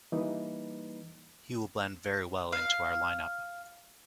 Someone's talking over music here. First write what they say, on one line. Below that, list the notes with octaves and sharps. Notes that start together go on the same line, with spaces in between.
He will blend very well into our line-up.
E3 G3 A#3 D#4 B4
F5